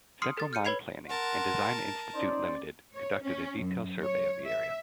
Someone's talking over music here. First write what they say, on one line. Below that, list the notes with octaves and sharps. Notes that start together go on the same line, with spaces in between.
Central Mine Planning and Design Institute Limited conducted a detailed survey of the area.
C6 D#6 F6 C7 C#7
A4 A6
F6 G6 C#7 D#7
B4 C#5 B5 G#6 C7 F7
A#4 F#5 A5 C6
C#4 D#4 C5 D5
C#5
C#4
F#2
C#5
E5